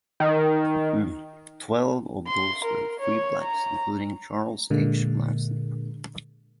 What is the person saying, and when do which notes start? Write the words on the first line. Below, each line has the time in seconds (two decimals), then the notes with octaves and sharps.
Twelve of those were free blacks, including Charles H. Langston.
0.20 D#3
2.28 C6
2.65 A#4
3.00 C#5
3.43 A#5
4.70 A#2 D3 G#3 A#3